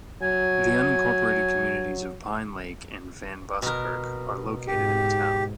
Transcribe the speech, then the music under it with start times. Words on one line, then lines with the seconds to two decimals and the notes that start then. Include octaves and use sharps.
The unincorporated communities of Pine Lake and Van Buskirk are located in the town.
0.22 F#3 G#5
3.62 B2 A#4
4.67 G#2 G4